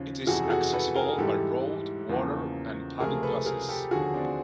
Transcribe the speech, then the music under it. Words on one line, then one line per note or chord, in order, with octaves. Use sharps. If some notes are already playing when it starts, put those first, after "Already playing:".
It is accessible by road, water, and public buses.
Already playing: D#2 C#3 F3
F2 C3 E3 F#4 G#4
A4
F#4 G#4
A4 B4
G#4 A#4
G#2 E3 G3 G4 A4
E2 C#3 F3 A#3
C#2 C3 F3 A3 G#4 A#4
A4 B4
G#4 A#4
G4 A4
D#2 D3 F3 F#4 G#4
C4 D4